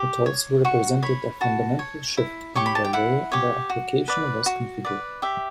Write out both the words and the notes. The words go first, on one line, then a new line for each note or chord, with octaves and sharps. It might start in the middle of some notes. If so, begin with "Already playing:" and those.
It also represented a fundamental shift in the way the application was configured.
Already playing: G4
C#5
F#4 C#6
C#5 B5
F#4 A5
C#5
E4
G4 C#5 C#6
B5
A5
G5
E4 F#5
G4 C#5
F#4
B4 D5
F#4
B4 D5
G4 E5